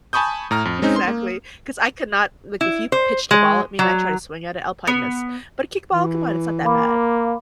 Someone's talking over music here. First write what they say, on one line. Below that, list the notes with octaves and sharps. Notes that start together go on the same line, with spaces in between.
Exactly, 'cause I cannot like, if you pitched a ball at me, and I try to swing at it, I'll probably miss. But a kickball? Come on, it's not that bad.
G#5 A5 B5 C#6 D#6 G6
A2 A#5 F6
F2
G#3 C4 C#4 D#4
C6
A#3
E4
C5
G#3
F#3
B3
E3
A#3 F5 B5 D6